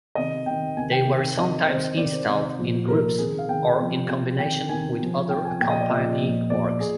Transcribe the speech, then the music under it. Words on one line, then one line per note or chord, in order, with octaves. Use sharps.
They were sometimes installed in groups or in combination with other accompanying works.
C3 D#3 D#5
C3 D#3 G5
C3 D#3 G#5
G5
C3 D#3
C3 D#3 D#5
C3 D#3 C5
C3 D#3 D5
C5
C3 D#3
A#2 F3
A#2 F3 A#4
C3 D#3 G#4
F5
C3 D#3 G5
C3 F3
C3 F3
C3 D#3 G5
C3 D#3 G#5
C3 F3
C3 G5
F3
G#5
A#2 F3 G5
D#5
D5
A#2 F3 D#5
A#2 F3
A#2 F3 D5
A#2 G#4